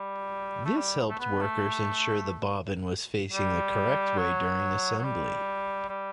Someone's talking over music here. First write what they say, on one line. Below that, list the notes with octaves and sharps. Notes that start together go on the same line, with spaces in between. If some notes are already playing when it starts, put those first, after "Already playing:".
This helped workers ensure the bobbin was facing the correct way during assembly.
Already playing: G3
A3
G3
A3
B3
A3
G3
F#3
F#3
G3
G3